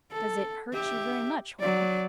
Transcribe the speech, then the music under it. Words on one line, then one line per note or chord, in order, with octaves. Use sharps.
"Does it hurt you very much, Hoyle?"
A4
G4 E5
F#3 D5